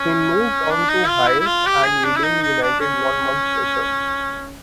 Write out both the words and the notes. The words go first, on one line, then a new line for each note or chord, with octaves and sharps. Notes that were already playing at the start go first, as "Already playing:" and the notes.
He moved on to Hayes and Yeading United one month later.
Already playing: C#4
D4
D#4
F4
E4
E4
F4
G4
G#4
D4
E4
D#4
D#4
D4
C#4